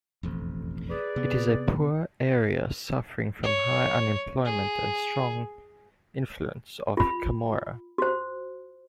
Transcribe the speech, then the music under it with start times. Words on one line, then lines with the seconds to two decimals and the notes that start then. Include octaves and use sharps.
It is a poor area, suffering from high unemployment and strong influence of Camorra.
0.23 E1 A1 F2
0.90 G#4 B4 D5
1.16 C3 B3
3.43 C#5
4.45 G#4
6.97 F4 B5
7.98 F#4 C5